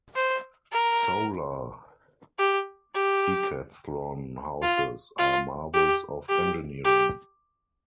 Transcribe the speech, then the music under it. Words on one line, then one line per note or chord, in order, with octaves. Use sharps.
Solar Decathlon houses are marvels of engineering.
C5
A#4
G4
G4
F4
F4
G4
G4
G4